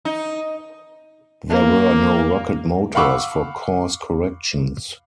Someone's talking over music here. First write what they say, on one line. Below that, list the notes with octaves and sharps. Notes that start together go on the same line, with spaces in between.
There were no rocket motors for course corrections.
D#4
A#3
F5 F#5 B5 C#6 D6 E6